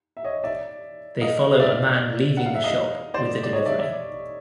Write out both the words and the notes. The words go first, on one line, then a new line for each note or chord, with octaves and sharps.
They follow a man leaving the shop with a delivery.
E5
C#5 D#5
D5 E5
D#5 F5
F5
D5 E5
F#5
F5
E5
D#5 F5
C5 D5
D5
C#5 D#5
D5 E5
D5 E5